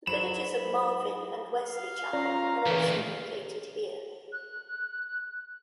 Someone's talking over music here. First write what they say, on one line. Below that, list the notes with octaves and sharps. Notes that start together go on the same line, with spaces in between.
The villages of Marvin and Wesley Chapel are also located here.
G#2 F#3 B5 E7
F5
C#4 F4 D5 A#5
D2 A#2 E3 B4
F#6